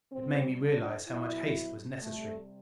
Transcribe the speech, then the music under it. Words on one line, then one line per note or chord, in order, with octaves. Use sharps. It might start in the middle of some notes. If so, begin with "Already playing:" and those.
It made me realize how much haste was necessary.
C3 G3 C4
D4
B2 F#3 E4
C3 G3 A3